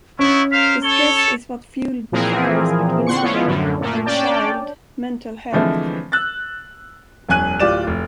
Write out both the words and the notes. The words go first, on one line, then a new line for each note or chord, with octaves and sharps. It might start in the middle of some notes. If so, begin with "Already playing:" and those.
The stress is what fueled the fires between mother and child mental health.
B3 C#4 D#4 E4 C#6
A#4 C5 F5 B6
A4 C#5 G7
A#2 E3 F3 C4 G#4 A#4
D3 F#5 C6 C#6 C#7
F3 B3 C#4 E4 F4
F#2 A2 D3
A#2 A3 A#3
C#4 D4 D5 G5 A5
D3 E3 F3 G#3 A3 C4
E6 F#6 A6
E1 F#2 G#5 F#6 D#7
D1 F4 G4 D5 E7
F1